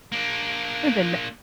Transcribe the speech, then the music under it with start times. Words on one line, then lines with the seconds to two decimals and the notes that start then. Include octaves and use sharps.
We've been ma
0.12 A#3 D4